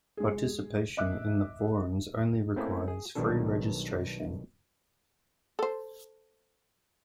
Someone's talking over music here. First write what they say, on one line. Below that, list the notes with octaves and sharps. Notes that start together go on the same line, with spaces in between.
Participation in the forums only requires free registration.
G#3 G#4
D#5 E5 D6 F#6
A3 A#3 C4 C#4 E4
G#4
B1 B2 D#3 G3 D4 A4
A4 C5